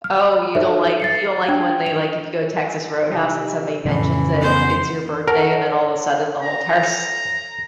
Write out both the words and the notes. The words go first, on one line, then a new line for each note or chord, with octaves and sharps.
Oh, you don't, like you don't, like, it when they, like, if you go to Texas Roadhouse and somebody mentions that it's your birthday and then all of a sudden the whole entire s
F6
D#4 F#4 A4 C5 C#5 E5
A6 C7 C#7
D4 G5 G#6
F7
C3 D#4
F2 A2 C#3 E3 A3
B3 C5
A4 A#4 C#5 F#5
A#5